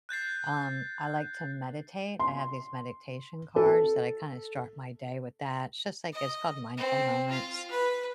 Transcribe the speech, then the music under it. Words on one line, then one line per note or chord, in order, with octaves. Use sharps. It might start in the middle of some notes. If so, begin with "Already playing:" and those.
Um, I like to meditate, I have these meditation cards that I kinda start my day with that, it's just, like it's called Mindful Moments,
F#6 G6 A6 C7
C6
A4
D#5
C4
F4
B4